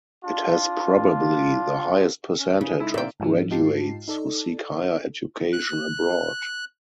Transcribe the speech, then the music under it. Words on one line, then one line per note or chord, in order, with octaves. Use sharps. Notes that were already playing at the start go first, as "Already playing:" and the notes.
It has probably the highest percentage of graduates who seek higher education abroad.
D4 F4
C#4
C#3 G#4
G#3 D#4 E4 A4
A#2 A#3 C4 D5 E5 G5
G#2 F3 C#4
G#2 D#4 F4 G4 A5 C7
D#4 A4 D5
F#6